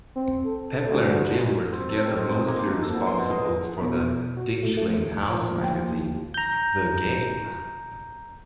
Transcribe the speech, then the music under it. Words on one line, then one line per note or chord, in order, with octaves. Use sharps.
Pepler and Gill were together mostly responsible for the Ditchling house magazine, "The Game".
C4
A4
D2
G#2
C4
A4
D#3
C4
G#3
A#3
F3
A4
B2
C6
B2
D#5
B2
F#4
A3
A3
F3
A#3 G5
A#5 G6